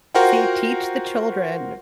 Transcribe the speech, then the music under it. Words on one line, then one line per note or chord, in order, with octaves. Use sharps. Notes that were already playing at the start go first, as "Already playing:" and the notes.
See, teach the children.
F4 F#4 A#4 C5 F#5 G5